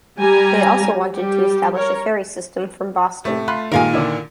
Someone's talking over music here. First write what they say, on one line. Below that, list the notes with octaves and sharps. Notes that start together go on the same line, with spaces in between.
They also wanted to establish a ferry system from Boston.
G3 G4 G#5 A#5
G3 G4
A#4 C#5
A2 C3 A3
F4 F5 B5 F#6
A#2 D#3 G3 G#3 A#4 F5 G#5
D3 D4 E4